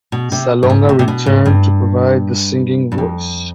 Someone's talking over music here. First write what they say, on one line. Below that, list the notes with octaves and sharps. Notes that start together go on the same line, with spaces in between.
Salonga returned to provide the singing voice.
B2
C3
G2
G#2
C3
C3
B2
G#2
G2
G2
F2